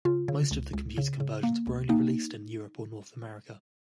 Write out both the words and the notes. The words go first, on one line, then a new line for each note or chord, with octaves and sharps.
Most of the computer conversions were only released in Europe or North America.
C#3 F4
C#3
C#2
C#2
C#3
C#3
A#3
C#2
A#3 D#4